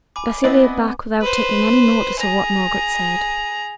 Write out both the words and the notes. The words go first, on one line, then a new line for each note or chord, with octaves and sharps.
Bessy lay back without taking any notice of what Margaret said.
G#5 B5 D6
B3 C4 E4 B4 D5 D#5
B4 C5
G#4 A#5